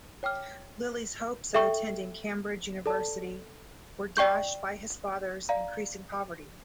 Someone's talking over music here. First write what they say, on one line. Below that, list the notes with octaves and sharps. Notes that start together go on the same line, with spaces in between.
Lilly's hopes of attending Cambridge university were dashed by his father's increasing poverty.
C#5 G5 D6 F6
A4 E5 G5 C#6
A4 D5 A5
D5 G5 C#6 G6
D5 F5 A#5